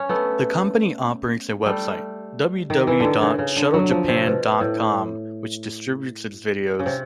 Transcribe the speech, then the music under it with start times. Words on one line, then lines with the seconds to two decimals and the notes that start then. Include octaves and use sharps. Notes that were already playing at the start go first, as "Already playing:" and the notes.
The company operates a website, www dot shuttle-japan dot com, which distributes its videos.
Already playing: C#4
0.09 A3 B3
1.66 G3 A3
2.70 D#3
2.87 E3
3.00 D3 D#3
3.22 C#3
3.39 C#3
3.56 D3
3.74 F#3
3.91 F3
4.08 C3
4.26 B2
4.61 A2
6.80 C#3
6.86 C3